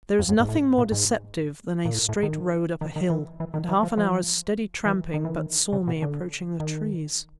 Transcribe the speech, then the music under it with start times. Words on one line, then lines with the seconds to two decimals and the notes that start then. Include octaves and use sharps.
There is nothing more deceptive than a straight road up a hill; and half an hour's steady tramping but saw me approaching the trees.
0.19 F2
0.29 F#2
0.40 G#2
0.49 A2
0.78 A#2
0.92 G#2
1.85 A#2
1.94 A2
2.09 A2
2.23 D#3
2.81 D#3
2.96 D#3
3.10 E3
3.40 E3
3.54 D#3
3.69 E3
3.83 F3
3.98 F3
4.86 E3
5.14 D#3
5.25 E3
5.35 D#3
5.73 C#3
5.88 B2
6.02 D3
6.60 D#3